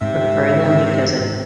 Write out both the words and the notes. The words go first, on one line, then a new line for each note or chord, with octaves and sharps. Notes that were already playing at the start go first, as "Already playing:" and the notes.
prefer them because I thi
G#2 C3 E5